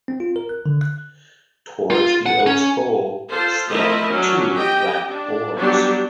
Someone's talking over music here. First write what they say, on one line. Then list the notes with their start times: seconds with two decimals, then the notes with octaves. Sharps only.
Towards the oak's bole stand two black boars.
0.08 C4
0.20 F4
0.36 A#4
0.49 F#6
0.66 D3
0.81 F#6
1.91 F4
2.26 F#5
2.46 C#4
3.30 F4 A4 C5
3.69 F3 A3 E4 A#4 D#5 E5
4.09 F#3 C#4 D4
4.53 G4 D#5 G5
5.10 D4
5.56 F#3 G3 B3 D4 G4